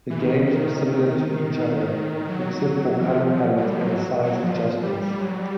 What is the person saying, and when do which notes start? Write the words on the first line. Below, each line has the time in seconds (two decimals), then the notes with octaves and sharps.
The games are similar to each other, except for color palette and size adjustments.
0.10 E3
0.19 D#3
0.46 D#3
2.28 F#3
3.01 E3
3.07 F3
3.26 F3
3.56 F#3
3.65 G3
3.75 F3
3.84 F#3
4.24 F#3
4.43 F3
4.82 G3
5.02 G3
5.21 F#3
5.41 G3